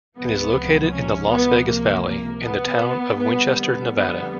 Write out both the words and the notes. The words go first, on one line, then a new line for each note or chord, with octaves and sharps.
It is located in the Las Vegas Valley in the town of Winchester, Nevada.
C#2 C3 F3 B3
C#4
B3
A#3
A#3
B3
F2 D3 G3 B3
B3
B3